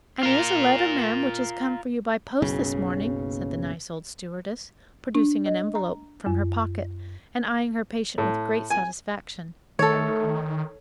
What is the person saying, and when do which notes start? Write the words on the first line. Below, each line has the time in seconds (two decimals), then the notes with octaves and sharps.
"And 'ere's a letter, ma'am, which has come for you by post this morning," said the nice old stewardess, producing an envelope from her pocket, and eying her patient with great satisfaction.
0.23 F4 A#4
2.42 F#1 B1 C#3
5.15 D4
5.46 D#5
5.75 A#5
6.26 F#2
8.18 A2
8.70 G#5
9.79 D#3 A3 A4 C#5